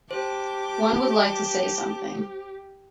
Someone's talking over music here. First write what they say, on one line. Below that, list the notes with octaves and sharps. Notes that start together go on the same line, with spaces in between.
One would like to say something.
G4 C5 A5 D6